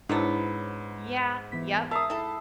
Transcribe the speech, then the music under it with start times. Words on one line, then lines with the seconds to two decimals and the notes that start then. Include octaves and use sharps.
Yeah, yep.
0.09 G#2 F3 F#3 B3 D4 E4 C#5
1.52 E3 B3 B6
1.91 A#4 E5 A5 D#6 C7
2.10 E4 A4